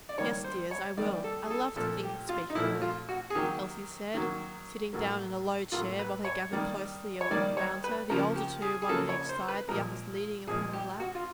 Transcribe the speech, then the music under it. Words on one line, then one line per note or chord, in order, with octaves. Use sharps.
"Yes, dears, I will: I love to think and speak of her," Elsie said, sitting down in a low chair while they gathered closely round her, the older two, one on each side, the others leaning upon her lap.
D5
D#3 G3 A#3 C#5
C5
C#5
D#3 G3 A#3 D5
A4
G#4
A4
A#2 F3 A3 A4
G4
F4
D#4
A#2 F3 A3 E4
F4
F#4
G#4
D#3 F#3 A#3 G4
D#3 F#3 A#3
A2 F#3 A#3
A2 F#3 A#3 F4
B4
C#5
D#3 G3 A#3
C#5
D#3 G3 A#3 D5
C#5
B4
C#3 F3 A#3 A#4
G4
G#4
G#4
C#3 F3 A#3 A4
C#5
C5
B4
A#2 F3 G#3 A#4
A#2 F3 G#3 G#4
G4
F#4
F4